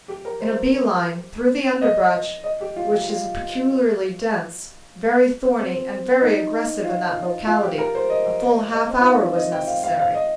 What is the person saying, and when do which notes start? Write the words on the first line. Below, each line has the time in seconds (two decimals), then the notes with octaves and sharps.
In a bee-line, through the underbrush, which is peculiarly dense, very thorny, and very aggressive in that locality, a full half hour was necessary.
0.08 G4
0.25 A#4
0.40 C5
1.81 D#5
2.44 D#5
2.61 G4
2.76 F4
2.92 G4
3.08 F4
5.58 C4
6.22 D#4
6.84 F4
7.47 F4
7.63 G4
7.78 A#4
7.95 C5
8.10 D#5
8.73 D#5
8.89 C4
9.00 F4
9.04 D#4
9.20 F4
9.36 D#5
9.52 G5
9.67 F5
9.84 F5
9.99 F5
10.14 D#5